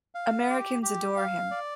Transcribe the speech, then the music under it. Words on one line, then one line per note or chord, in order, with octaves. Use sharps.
Americans adore him.
F5
G4
G4
F5
D5